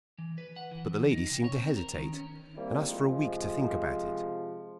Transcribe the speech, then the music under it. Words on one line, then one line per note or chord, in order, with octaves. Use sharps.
But the lady seemed to hesitate, and asked for a week to think about it.
E3
B4
F#5
E3
E3
D#4
C3
C#5
C4
A#4
D#3
C#4
G3 A#3 C4 E4
C3 F3 G#3